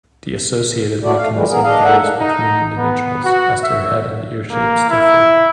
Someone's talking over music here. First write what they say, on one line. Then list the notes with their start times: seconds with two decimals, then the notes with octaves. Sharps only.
The associated mechanism varies between individuals, as their head and ear shapes differ.
1.04 F#3 D4 E4 F#4 D5
1.17 A3 F5
1.34 D3 E3 F3 G3 G#3
1.49 B3 G#4 A#4
1.64 D4 D#5 F5
1.84 A2 A#3 A4 E5 F#5
2.19 D#4
2.76 B3
3.24 F#4
3.62 E5
4.51 A#3
4.90 E4